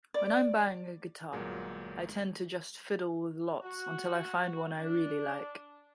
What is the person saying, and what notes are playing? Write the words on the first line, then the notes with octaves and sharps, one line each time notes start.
When I'm buying a guitar I tend to just fiddle with lots until I find one I really like.
D5
G1 A#2 F#3 G#3 A#4
F#4
D4